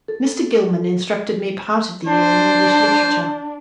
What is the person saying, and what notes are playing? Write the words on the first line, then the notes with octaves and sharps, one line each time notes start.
Mr. Gilman instructed me part of the year in English literature.
A4
D4 C5